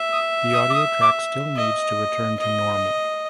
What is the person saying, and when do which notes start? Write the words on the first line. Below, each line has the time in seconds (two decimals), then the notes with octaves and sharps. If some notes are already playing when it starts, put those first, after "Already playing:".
The audio track still needs to return to normal.
Already playing: E5
0.11 D#6
0.52 D#6
0.69 D6
0.73 D#6
1.01 D6
1.57 D#5
2.39 D#5